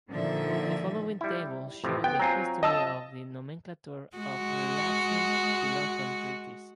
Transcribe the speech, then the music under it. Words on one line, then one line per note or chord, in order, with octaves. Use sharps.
The following table shows the history of the nomenclature of Relapsing polychondritis.
A#2 D3 D#3 F3 E5
G3 E4
F2 A2 C3
B3 G5
F#3 C4 F4 G#5 A#5
D#5 A5 E6
G#3 F#4